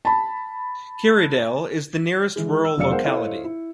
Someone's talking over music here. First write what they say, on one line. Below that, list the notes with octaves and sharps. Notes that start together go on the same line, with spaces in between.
Karaidel is the nearest rural locality.
A5 B5
E3 G#3
E6
F1 F#3 D5 F5 E6 C#7
G#3 B3 A#4 C5 F5 F#5
E4 A4 C5 C#5 D#5 F5
E4